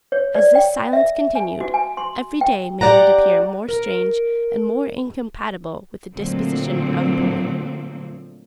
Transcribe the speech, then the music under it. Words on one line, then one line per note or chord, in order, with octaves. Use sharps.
As this silence continued, every day made it appear more strange and more incompatible with the disposition of both.
C#5
D5
G5
E5
G#5
F#4
G#5
C6
G5
G4 A#4 D5 F#5 A#5
A#4
A#2 D3 F3 F#3 A3 C4